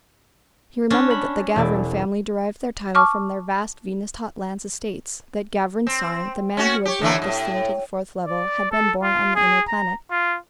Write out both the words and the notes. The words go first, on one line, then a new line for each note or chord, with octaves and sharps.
He remembered that the Gavran family derived their title from their vast Venus hotlands estates; that Gavran Sarn, the man who had brought this thing to the Fourth Level, had been born on the inner planet.
C#4 D4
B5
E1 E4 D5
A5 C#6 D6 F6
C4
C#4 F#4
G4 C#5
D3 E3 A3
F2 A2
D5
A4
F4
G#4
A#5
F4